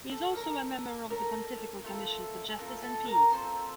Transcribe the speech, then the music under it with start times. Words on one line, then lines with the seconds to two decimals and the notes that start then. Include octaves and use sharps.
He is also a member of the Pontifical Commission for Justice and Peace.
0.11 A4
0.35 C#4 A4 A#4
1.10 C#4 A4 A#4
1.84 A3 C4 F4 A4
2.48 A4
2.58 A3 C4 F4 A4 A#4
2.82 A4 A5
3.07 A#4 A#5
3.32 C4 F4 A4 C5 C6